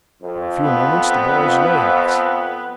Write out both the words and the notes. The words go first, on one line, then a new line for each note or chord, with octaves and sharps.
For a few moments the boys lay thus.
F2
B3